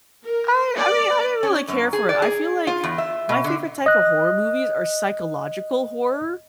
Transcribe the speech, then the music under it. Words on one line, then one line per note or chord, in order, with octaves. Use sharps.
I I mean, I didn't really care for it, I feel like my favorite type of horror movies are psychological horror,
A#4
D5
C#4
F#2
G#4
D5
G#4
F4
E2
E5
B2
D3
D#5 F#6